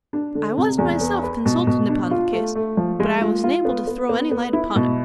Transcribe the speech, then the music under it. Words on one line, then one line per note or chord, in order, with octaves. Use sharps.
I was myself consulted upon the case, but I was unable to throw any light upon it.
D4
D3
C3
E2
B3
B4
B2
B2
D4
F4
A3
A3
F3
G#3
F4
F4
B3
B3
B3
B3
E4
B2